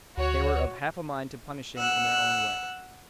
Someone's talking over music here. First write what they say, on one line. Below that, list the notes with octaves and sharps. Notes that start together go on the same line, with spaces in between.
They were of half a mind to punish him in their own way.
D2 F#4 C#5
F#5 E6 F#6